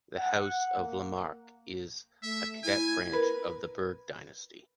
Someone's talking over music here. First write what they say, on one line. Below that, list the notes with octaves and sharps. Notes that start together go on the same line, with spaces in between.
The House of La Marck is a cadet branch of the Berg dynasty.
F#5
A#3
A3 E5
E4 G#5
A#4 B4